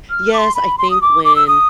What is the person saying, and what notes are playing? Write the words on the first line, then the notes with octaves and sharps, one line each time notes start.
Yes, I think when,
F6
D6
C6
B5
C6
D#6
D6
D6
E6
D#6